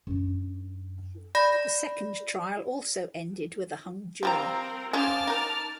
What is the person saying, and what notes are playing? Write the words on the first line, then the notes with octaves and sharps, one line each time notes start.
The second trial also ended with a hung jury.
F#2 D4
D5 B5 A#6
F3 G3 C4 A#4 A#5
F3 C#4 G#4 A5 D6 F6
D#4 A#4